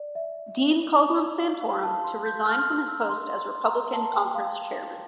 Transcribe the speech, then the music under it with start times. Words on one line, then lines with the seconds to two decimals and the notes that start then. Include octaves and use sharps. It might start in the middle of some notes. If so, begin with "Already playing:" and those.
Dean called on Santorum, to resign from his post as Republican Conference chairman.
Already playing: D5
0.15 E5
1.41 F5
1.62 F5
1.83 A5
2.04 C6
2.26 G6
2.46 F6
2.88 E6
3.00 A#5
3.09 C6
3.37 C6
3.65 A#5
3.93 A5
4.14 G5
4.35 F5